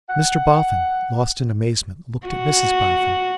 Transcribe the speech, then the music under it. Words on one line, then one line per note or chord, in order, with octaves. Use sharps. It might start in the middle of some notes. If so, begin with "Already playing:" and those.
Mr Boffin, lost in amazement, looked at Mrs Boffin.
F#5
F#4